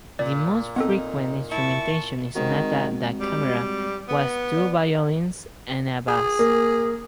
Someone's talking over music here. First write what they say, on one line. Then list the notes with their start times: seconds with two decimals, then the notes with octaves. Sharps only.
The most frequent instrumentation in sonata da camera was two violins and a bass.
0.19 A#2 D5
0.76 B3 C4 D#4 A4
1.51 E4 A5 C#6
2.35 D#3 G#3 C4 F#4
3.20 G3
4.08 B3
4.57 D5
6.08 G#4
6.39 A#3